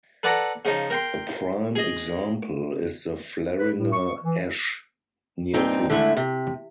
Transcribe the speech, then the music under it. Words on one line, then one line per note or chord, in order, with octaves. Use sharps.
A prime example is the Fleringer Esch, near Fleringen.
A4 B4 D5 F#5 A5 A#5
C#3 F3 D#4
A#4 G5 C6
G#4 D#5
B4
A2
C#6
E3
G2 A#2 C4 D#4
D3 G#3 A3 E4
C3